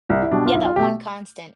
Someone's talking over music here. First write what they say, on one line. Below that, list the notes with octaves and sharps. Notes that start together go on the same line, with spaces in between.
Yeah, that one constant.
C2 E4
E4
B2 G3 D4
F4
B1 E4
F4
B2 A3 G4